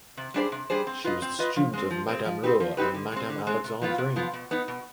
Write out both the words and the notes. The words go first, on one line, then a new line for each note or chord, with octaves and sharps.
She was the student of Madame Laure and Madame Alexandrine.
C3
G3 D4 G#4 C5
C3
G3 D4 G#4 C5
C4
F4 B4 D#5
C4
F4 B4 D#5
F3
G#3 C4
F3
G#3 C4
F3
C4 D#4 G4 B4
F3
C4 D#4 G4 B4
D3
G#3 C4
D3
G#3 C4
C3
F3 B3 F4
C3
F3 B3 F4
B2
B3 D#4
B2